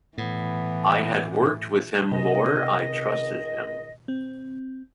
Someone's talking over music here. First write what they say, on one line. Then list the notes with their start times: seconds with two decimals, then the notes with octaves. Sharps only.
I had worked with him more; I trusted him.
0.18 A2 E3 B3
2.12 C#2 C3 D#3 D#5
4.08 C4